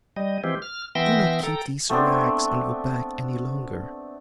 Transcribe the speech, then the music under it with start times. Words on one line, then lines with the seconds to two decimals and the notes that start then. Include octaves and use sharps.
Do not keep these rags on your back any longer.
0.16 G3 D#5
0.44 E3 F3 G#3 C4 G4
0.62 F6
0.95 E3 B3 E5 G5 C6 A#6
1.43 A4 G5 A#5
1.90 A3 B3 C4 D4